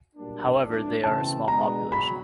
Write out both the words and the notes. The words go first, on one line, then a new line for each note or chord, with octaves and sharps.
However, they are a small population.
B1 A#2 G3 A#3 D4
G#1 G#2 E3 A3 D4
C#3 E3 A3 C4 A5
B2 G#3 B3 D4 A#5
F#3 B5